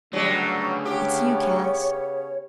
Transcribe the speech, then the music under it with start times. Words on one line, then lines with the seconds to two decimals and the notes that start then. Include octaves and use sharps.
Hit's you, Cass.
0.13 C#3 F#3 G3 A3 B3 C#4 D4
0.85 G4 C#5